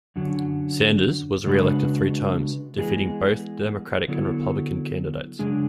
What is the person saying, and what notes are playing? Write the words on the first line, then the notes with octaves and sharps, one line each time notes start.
Sanders was reelected three times, defeating both Democratic and Republican candidates.
F#2 D3 F#3
C#3 G#3 D4 F#4 B4
E3 G#3 B3 D4 G#4
D3 F#3 B3 E4 A4
F#2 C#3 G#3 D4 G#4